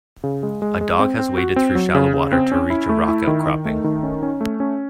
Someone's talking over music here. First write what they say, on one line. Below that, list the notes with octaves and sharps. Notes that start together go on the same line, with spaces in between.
A dog has waded through shallow water to reach a rock outcropping.
C#3
G#3
G#3
G#3
C4
C4
F#4
C4
F#3
C#3
C#3
C4
C#4
E4
A3
E4
D#3
D#3
A3
D#3
C#4
C#4
A3
C#4